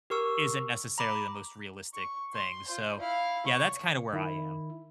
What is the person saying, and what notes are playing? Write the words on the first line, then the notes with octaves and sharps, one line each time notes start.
isn't necessarily the most realistic thing. So, yeah, that's kind of where I am.
G4 A#4 C#6 E6
A#5 B5 D6
C#6
C6
F4 C5
E4 F5
C#5 C#6
D#3 E4